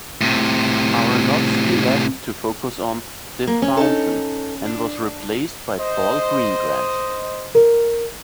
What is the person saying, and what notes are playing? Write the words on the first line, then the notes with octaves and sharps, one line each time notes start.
Aronofsky left to focus on "The Fountain" and was replaced by Paul Greengrass.
A2 C3
A#3
C#4
D#4 A4
D4
C5 D#5
A#4